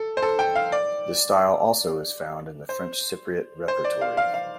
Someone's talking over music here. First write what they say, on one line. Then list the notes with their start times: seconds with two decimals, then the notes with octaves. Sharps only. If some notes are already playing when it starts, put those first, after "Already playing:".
The style also is found in the French Cypriot repertory.
Already playing: A4
0.17 C5
0.22 A4
0.39 G5
0.55 F5
0.72 D5
2.69 C5
3.68 C5
3.84 D5
4.01 F5
4.17 F5
4.34 F5